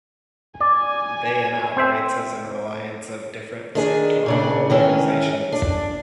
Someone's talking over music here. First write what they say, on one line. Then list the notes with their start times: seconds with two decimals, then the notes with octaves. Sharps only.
Bayan operates as an alliance of different sectoral organizations.
0.60 D5 G#5
1.77 C4 C5 E5
3.75 D#3 D4 G#4
4.26 A#2 C#3 D4
4.70 D#3 E3 C#4
5.52 D4